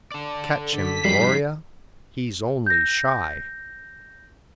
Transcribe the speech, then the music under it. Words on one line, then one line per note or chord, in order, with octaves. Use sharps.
"Catch him, Gloria; he's only shy!"...
A4 D5
D3 B6
G2 F3 G3 D#4 C7 F#7
G6 A#6